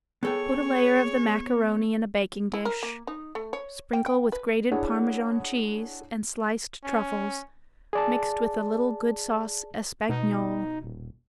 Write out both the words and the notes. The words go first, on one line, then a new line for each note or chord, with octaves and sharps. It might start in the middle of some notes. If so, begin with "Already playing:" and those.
Put a layer of the macaroni in a baking dish, sprinkle with grated Parmesan cheese and sliced truffles mixed with a little good sauce espagnole.
B3 G#4 A4 C#5 G5
E4
A#4
A#3
D#4
A3
C#5
G5
G5
B4
D4 E4 G#4 C#5 F#5
C#4
G#4 D5 A5
B2 D#4
D#1